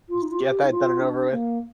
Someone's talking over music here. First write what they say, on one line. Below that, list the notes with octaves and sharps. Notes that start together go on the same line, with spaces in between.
Just get that done and over with.
F4
D#4
F4
G4
D#4
F4
D4
A#3